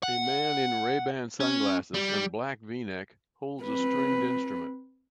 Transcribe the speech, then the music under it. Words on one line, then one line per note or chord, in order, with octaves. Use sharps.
A man in RayBan sunglasses and a black vneck holds a stringed instrument.
F#5
C#4
G3
C4 B4